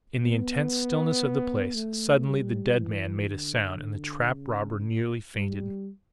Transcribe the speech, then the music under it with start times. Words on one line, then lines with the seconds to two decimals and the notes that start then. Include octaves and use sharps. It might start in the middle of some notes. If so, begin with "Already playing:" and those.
In the intense stillness of the place, suddenly the dead man made a sound; and the trap-robber nearly fainted.
0.20 B3
1.75 A3
2.27 G3
2.78 E3
3.29 D3
4.33 C#3
5.36 G3